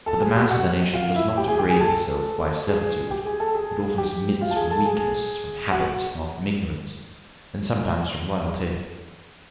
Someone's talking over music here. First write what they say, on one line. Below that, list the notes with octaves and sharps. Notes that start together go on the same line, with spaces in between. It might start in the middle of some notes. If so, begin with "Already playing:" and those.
But the mass of the nation does not degrade itself by servitude: it often submits from weakness, from habit, or from ignorance, and sometimes from loyalty.
A4 A5
G#4 G#5
G4 G5
F#4 F#5
F4 F5
E4 E5
G4 G5
G#4 G#5
G4 G5
G#4 G#5
A4 A5
G#4 G#5
G4 G5
G#4 G#5
A4 A5
G#4 G#5
G4 G5
F4 F5
A5
G#4 G#5
A4 A5
G#4 G#5
F#4 F#5